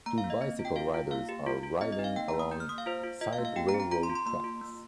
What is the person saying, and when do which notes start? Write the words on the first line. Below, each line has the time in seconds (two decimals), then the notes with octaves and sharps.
Two bicycle riders are riding along side railroad tracks.
0.06 A#3 A#5
0.18 F5
0.24 A#3
0.30 D#5
0.41 C4 D#5
0.59 F4
0.65 G5
0.76 F4 F5
0.94 F4
1.11 A#3 F5
1.29 G4
1.46 F4
1.63 F4
1.81 C4 D#5
1.92 D#5
1.99 D#4
2.04 F5
2.16 A#3 G5
2.28 A#5
2.34 A#3
2.39 D#6
2.51 G4 G6
2.60 F6
2.69 A#3 D#6
2.78 F5
2.86 F4 C5
3.04 F4
3.21 F4 D#5
3.33 F5
3.38 A#3
3.45 F5
3.56 G4 G5
3.69 A#5
3.74 C4
3.80 A#5
3.91 F4 A#5
4.03 C6
4.10 F4
4.15 C6
4.26 A#3 C6
4.44 F4
4.61 A#3